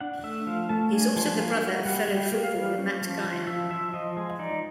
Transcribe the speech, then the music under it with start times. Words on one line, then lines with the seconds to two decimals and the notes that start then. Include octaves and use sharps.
He is also the brother of fellow footballer Matt Geyer.
0.01 D4 F#5
0.24 A3 E5
0.47 F3 F5
0.69 A3 A5
0.93 D4 G#5
1.16 F3 G#5
1.39 A#3 G#5
1.62 G3 F#5
1.85 G3 F#5
2.08 G3 G5
2.32 A#3
2.43 F5
2.55 G3
2.78 C#4
3.02 F3
3.24 F3
3.47 F3 E5
3.70 F3 E5
3.94 F3 D#5
4.17 G#3
4.39 D#4 D5